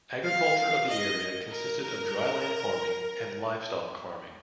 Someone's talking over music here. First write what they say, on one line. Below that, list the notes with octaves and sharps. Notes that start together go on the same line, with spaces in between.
Agriculture of the area consisted of dryland farming and livestock farming.
F5
D#5
A#4
A#4